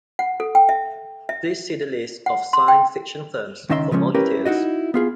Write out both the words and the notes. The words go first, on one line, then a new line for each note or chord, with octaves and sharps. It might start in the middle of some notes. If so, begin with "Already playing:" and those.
Please see the list of science fiction films for more details.
F#5
A4
G5
E5
E5
F#5
C6
G5
C#2 D#3 C#4 D#5 E5 C6
C#3 F3 G#3 A3 C#4
C#4 E4 G4 A#4 B4
D#4 E4 F#4 D#5
B3 F4 G#4